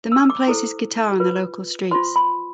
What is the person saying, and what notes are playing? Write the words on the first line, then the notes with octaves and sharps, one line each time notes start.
The man plays his guitar on the local streets.
E6
D6
E4 A4 C5
F4 B4
F4 C5 C6
B5